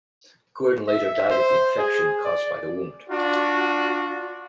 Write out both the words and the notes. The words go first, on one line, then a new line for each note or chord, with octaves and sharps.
Gordon later died of the infection caused by the wound.
E5
C5
G#4
D5
D4 F4 F#4